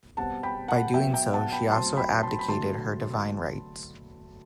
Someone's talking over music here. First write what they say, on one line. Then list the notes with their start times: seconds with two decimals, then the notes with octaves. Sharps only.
By doing so, she also abdicated her divine rights.
0.17 B2 G3 C4 F#5 A5
0.43 G5 B5
0.68 F#5 A5
0.94 B2 F#3 B3 E5 G5
1.14 E5 G5
1.33 F#5 A5
1.52 G5 B5
1.72 A2 F#3 C4 A5 C6
1.97 G5 B5
2.23 A5 C6
2.39 B5
2.48 D3 F#3 A3 A5 C6